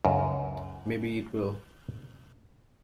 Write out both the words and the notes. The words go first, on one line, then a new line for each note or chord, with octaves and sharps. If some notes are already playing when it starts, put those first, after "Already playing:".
Maybe it will.
C#2 F#2